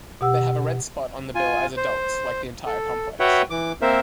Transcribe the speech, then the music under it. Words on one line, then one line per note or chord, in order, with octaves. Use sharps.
They have a red spot on the bill as adults, like the entire complex.
B2 G4 F#5 E6
F4 G#5
C5
A4
F#4 B4 C#5 E5 F#5 G5
E3 D6
A#3 C4 A#4 C5 E5